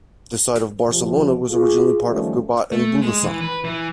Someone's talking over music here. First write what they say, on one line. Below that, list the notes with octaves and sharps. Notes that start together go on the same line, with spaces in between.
The site of Barcelona was originally part of Gubat and Bulusan.
E2 G2 C3 F3
F4 G#4
D#3 F3 G3 A3 C#4
A3
G#3
E3
B4
E3